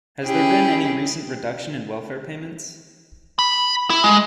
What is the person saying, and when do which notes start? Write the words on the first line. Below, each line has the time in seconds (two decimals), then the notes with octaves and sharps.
Has there been any recent reduction in welfare payments?
0.25 C#4 E4 G4 G#4
3.39 B5
3.90 E4
4.04 G#3